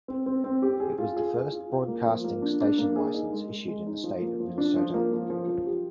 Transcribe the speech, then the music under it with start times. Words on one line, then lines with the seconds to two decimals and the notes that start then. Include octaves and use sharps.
This was the first broadcasting station license issued in the state of Minnesota.
0.08 C4
0.26 C4
0.44 C4
0.62 G4
0.80 G#4
0.98 F4
1.17 G#4
1.34 G#4
1.52 F4
1.70 F4
1.88 A#3
2.06 F3
2.24 A#3
2.42 D4
2.61 D4
2.78 A#3
2.96 G#4
3.14 D#4
3.32 G#3
3.50 G#3
3.68 G#3
3.86 D#4
4.04 F3
4.21 A#3
4.40 F3
4.58 D4
4.76 F3
4.94 A#3
5.12 F3
5.30 F3
5.48 F3
5.66 G4